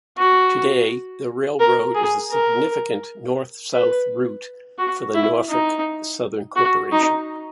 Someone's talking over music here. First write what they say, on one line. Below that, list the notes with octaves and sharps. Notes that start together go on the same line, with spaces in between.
Today, the railroad is a significant north-south route for the Norfolk Southern Corporation.
F#4
A#4
G#4
A#4
B4
F#4
E4
D#4
F#4
D#4